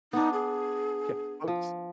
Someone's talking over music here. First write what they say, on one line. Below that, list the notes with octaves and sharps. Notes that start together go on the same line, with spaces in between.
Yeah, boats
B3 D4 D#4
G#4
F3